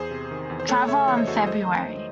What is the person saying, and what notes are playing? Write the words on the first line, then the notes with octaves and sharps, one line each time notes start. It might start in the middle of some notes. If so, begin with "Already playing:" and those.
Tarver in February.
Already playing: E2 G#4 C5
C3
D#3
E2
C5
A3 A4 C#5
C#3 C#5 E5
E3 A4 C#5
C5 D#5
E2 F#4 A4
E4 G#4
A3 C5 D#5
D#3
F#3